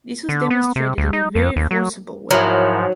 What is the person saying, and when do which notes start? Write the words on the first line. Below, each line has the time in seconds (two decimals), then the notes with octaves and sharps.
This was demonstrated in a very forcible way.
0.29 D3
0.50 B3
0.76 C3
0.98 D2
1.13 D#4
1.35 F2
1.56 D#2
1.71 F#3
2.31 G#2 F3 F#3 E4 A#4